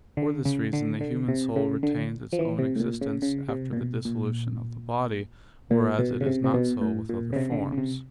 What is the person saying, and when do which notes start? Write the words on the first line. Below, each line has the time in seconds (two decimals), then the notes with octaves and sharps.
For this reason the human soul retains its own existence after the dissolution of the body; whereas it is not so with other forms.
0.17 D3
0.45 C#3
0.73 D3
1.01 D3
1.28 C3
1.56 C#3
1.83 D3
2.33 F3
2.39 E3
2.59 C3
2.76 A2
2.80 A#2
3.01 C#3
3.22 C#3
3.49 C3
3.73 A#2
3.77 B2
4.05 A#2
5.71 A#2
5.99 B2
6.21 C#3
6.26 C3
6.44 C3
6.54 B2
6.81 A2
7.09 A#2
7.33 C#3
7.36 C3
7.52 D3
7.58 C#3
7.72 C#3
7.78 C3